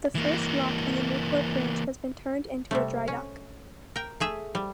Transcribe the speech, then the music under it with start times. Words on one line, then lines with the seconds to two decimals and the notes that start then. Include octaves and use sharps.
The first lock on the Newport Branch has been turned into a dry-dock.
0.15 E3 A#3
2.71 C3 G3 A3
3.08 C#4
3.96 A#4 G5
4.20 A3 G#4 E5
4.55 G3